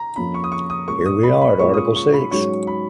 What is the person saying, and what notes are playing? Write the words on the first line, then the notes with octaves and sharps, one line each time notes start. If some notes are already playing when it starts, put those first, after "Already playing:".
Here we are at article six.
Already playing: A#5
F2 F3 A#3 C#4 B5
C#6
D#6
C#6
D#6
A#2 G#3 C#4 F4 A#4 C#6
D#6
B5
B5
A#2 G#3 C#4 F4 A#4 C#6
D#6
C#6
C#6
B5
G#2 F#3 C#4 G#4 C#5 C#6
B5